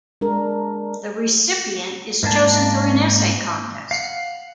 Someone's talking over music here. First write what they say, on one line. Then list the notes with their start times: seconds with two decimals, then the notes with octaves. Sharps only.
The recipient is chosen through an essay contest.
0.21 G#3 D4 A#4
2.23 G#2 A#3 D4 A5
3.91 F5 F#5